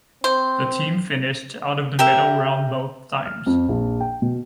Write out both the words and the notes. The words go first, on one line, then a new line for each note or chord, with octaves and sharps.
The team finished out of the medal round both times.
C4 C5
G4 A#4 E5
F6
F2
A#1
G5
B2